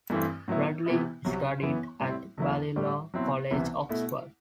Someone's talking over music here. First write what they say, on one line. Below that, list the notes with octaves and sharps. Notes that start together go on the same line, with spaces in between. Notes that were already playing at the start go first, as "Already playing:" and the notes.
Bradley studied at Balliol College, Oxford.
G2 E3 A3 C4
A2 F#3 B3 E4
C3 E3 B3 E4
C2 C3 F#3
F#2 E3 B3 E4
A2 G3 C4 E4
E2 B2 F#3 A3 E4
A2 G3 D4
B2 F#3 C4 E4
C2 C3 E3 B3 E4
B2 A3 E4